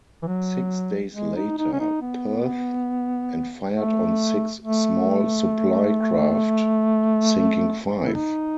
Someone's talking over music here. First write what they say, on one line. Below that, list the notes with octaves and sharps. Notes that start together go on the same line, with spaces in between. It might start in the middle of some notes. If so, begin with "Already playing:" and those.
Six days later, "Perth" and fired on six small supply craft, sinking five.
E3
F#3
G#3
D#4
D#4
C#4
D#4
B3
A3
A3
E4
D#4